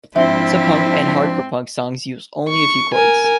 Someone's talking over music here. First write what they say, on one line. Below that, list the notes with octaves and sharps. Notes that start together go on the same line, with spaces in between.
Some punk and hardcore punk songs use only a few chords.
G#2 F3 C4 D4 E4 F4 E5
C#6
A#4 G#5